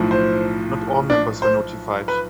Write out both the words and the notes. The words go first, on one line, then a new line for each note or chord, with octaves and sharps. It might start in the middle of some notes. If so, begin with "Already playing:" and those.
Not all members were notified.
Already playing: B1 A2 F3
C5
D4 D5
C5
B4